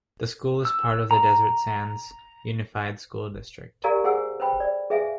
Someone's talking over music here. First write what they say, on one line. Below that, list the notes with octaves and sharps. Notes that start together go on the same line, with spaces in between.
The school is a part of the Desert Sands Unified School District.
E6
A#5
G4 A#4 D5 F5 G#5 A#5
G#4 C5 F#5 G#5 E6
B4 C5 G5 B5
D5
G#4 B4 E5 F5 G#5